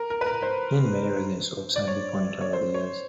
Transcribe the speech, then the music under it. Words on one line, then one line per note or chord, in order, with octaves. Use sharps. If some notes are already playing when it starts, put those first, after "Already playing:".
There have been many residents of Sandy Point over the years.
Already playing: A#4
A#4
B4
A#4
C5
D5
C#5
C#5
C5
C#5